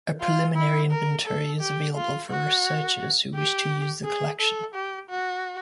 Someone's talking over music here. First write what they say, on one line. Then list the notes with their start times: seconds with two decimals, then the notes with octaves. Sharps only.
A preliminary inventory is available for researchers who wish to use the collection.
0.21 F4
0.56 E4
0.91 A#4
1.26 A4
1.60 G4
1.95 F4
2.30 F#4
3.35 G4
4.05 G#4
4.40 A4
4.74 G4
5.09 F#4